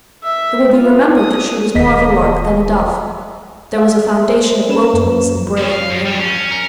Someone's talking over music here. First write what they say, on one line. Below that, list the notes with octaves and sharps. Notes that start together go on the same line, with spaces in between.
It will be remembered that she was more of a lark than a dove. There was a foundation of wildness and bravery in her.
E5
F4
D#6
D#1 D#2 D#5 B6
E5
C5
A#3 C#4 B4 E7
F#2
F3 C#4
F5
F#2
G3 D4
C#4
A#4